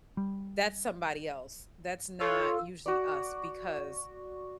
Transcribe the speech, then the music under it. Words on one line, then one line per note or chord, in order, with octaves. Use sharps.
that's somebody else. That's not usually us because
G3
F4 A4 C#5
F#4 D5